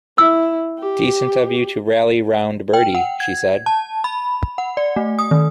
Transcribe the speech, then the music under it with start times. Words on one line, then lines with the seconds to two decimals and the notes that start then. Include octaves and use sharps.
"Decent of you to rally round, Bertie," she said.
0.18 E4 E6
0.79 G4
2.74 G5
2.95 F#5
3.20 G#6
3.66 A5
4.04 B5
4.58 F#5
4.77 D5
4.96 A3
5.19 D#6
5.31 D#3